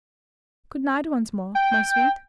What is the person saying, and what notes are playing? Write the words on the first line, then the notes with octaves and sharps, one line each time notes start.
Good-night once more, my sweet.'
G5